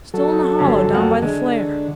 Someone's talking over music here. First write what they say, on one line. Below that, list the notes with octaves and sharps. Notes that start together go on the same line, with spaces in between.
'Still in the hollow down by the flare.'
F#3 A4
G1 D3 C#4
F2 A#3 F#5
D3 G#3